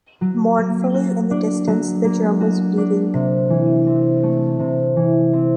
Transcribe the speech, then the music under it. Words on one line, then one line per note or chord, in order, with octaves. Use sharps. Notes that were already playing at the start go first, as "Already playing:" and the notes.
Mournfully, in the distance, the drum was beating.
F#3
A#3
F#4
D4
F#3
A#3
F#4
D4
C3
E3
C4
A3
C3
E3
C4